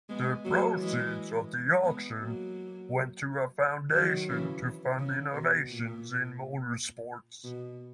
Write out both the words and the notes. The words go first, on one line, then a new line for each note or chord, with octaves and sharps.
The proceeds of the auction went to a foundation to fund innovations in motorsports.
G#3 B3
F#3 A#3
E3 G#3
G#3 B3
F#3 A#3
D#3 F#3
C#3 E3
C#3
B2
A#2
B2